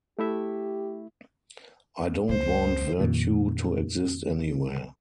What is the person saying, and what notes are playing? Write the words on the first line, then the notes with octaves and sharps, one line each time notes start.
I don't want virtue to exist anywhere.
A3 E4 G4 E5
C#2 C5
F2 A#2 D#3